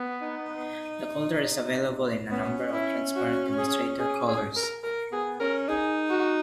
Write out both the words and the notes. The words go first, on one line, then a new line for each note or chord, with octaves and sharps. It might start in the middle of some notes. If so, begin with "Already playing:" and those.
The Kultur is available in a number of transparent demonstrator colors.
Already playing: B3
D#4
B3 C#4
E4
F#4
G#4
G#4
G#4
A#4
A#4
B3 G#4
C#4 A#4
D#4 G#4
F#4